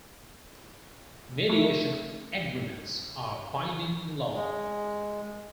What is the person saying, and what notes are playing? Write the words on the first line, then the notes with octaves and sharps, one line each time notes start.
Mediation agreements are binding in law.
A3
G#3